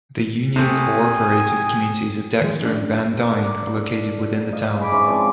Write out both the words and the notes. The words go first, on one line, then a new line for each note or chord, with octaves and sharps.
The unincorporated communities of Dexter and Van Dyne are located within the town.
C3 A3 G5 G#5 D#6
D#3 F3 G#3
C#4 D4
D4 A#4 F#5
D#5 F5
G#4 B5 D6
G#2 C#4 E5 B5
F3 C4 D5 D6